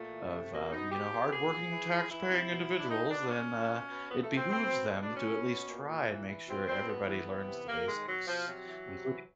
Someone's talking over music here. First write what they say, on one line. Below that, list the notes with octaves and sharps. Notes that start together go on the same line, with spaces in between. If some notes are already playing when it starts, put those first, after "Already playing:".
of, um, you know, hardworking taxpaying individuals, then, uh, it behooves them to at least try and make sure everybody learns the basics, including
Already playing: A#2 A3
E3
C3
B2 A#3
B2 D#4
B2 G4
B2
A#2 G#4
A#2
E3
E3
E3 E4
C3
B2
B2
D4
B2 D#4
B2 D4
A#2 C#4
A#2
B2
B2
A#2 B3
A3
A#2
C4
B2 C4
B2
B2
D4
B2
C#4
B2
B2
A#2
A#2
E3
E3
B2 C4
B2 C4
A2 B3
E3
E3
C3
C3 A#3
D#3 G#3
B2 F#3
B2 F3
C3 F#3
E3
C3
E3